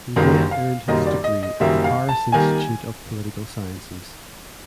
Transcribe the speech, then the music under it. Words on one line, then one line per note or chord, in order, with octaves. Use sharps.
He then earned his degree at the Paris Institute of Political Sciences.
F#1 F#2 D#3 G3 A#3
F5
F#1 F#2 D#3 G3 A#3 D#5
D5
D#5
D#5
F#1 F#2 D#3 G3 A#3 E5
F5
A5
D#3 G3 A#3 G#5